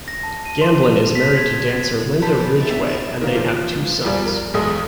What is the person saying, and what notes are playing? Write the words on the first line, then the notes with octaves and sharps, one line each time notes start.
Gamblin is married to dancer Linda Ridgway and they have two sons.
A#6
A5
D#7
C6
F7
B6
G#6
F3 A4 C5 B5
G3 C#4
D#3 E3 A3
B3 D4 G4 E5
D#3 D#4 E4
D#3 A#3
F3
E2 F3 G3
A#4
B1 E2 G#3 A4 D#6